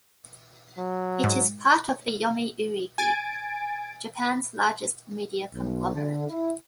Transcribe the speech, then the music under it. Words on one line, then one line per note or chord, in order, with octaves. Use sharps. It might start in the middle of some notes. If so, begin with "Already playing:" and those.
It is part of the Yomiuri Group, Japan's largest media conglomerate.
F#3
G#2
G#5 A6 D7
B1
D3
E4